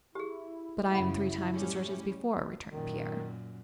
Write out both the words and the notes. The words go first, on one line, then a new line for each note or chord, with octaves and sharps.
"But I am three times as rich as before," returned Pierre.
E4 G4 G#4
F#2 C#3 E5 F#5 B5
A2 G3 C#4
F#2 A#2 D#3